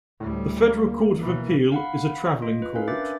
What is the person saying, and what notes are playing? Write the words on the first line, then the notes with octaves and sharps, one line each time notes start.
The Federal Court of Appeal is a traveling Court.
D2 A2 G3
A#3
B2 E3
F5 F#5 B5
F4 D#5
B4
C#4 A#4 F5
D4 B4 E5 D6 A6